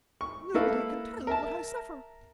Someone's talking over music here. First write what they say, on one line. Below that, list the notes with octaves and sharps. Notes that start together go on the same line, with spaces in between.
Nobody can tell what I suffer!
C#6
A#3 E4 A4 B4 F5
A#4 E5 A5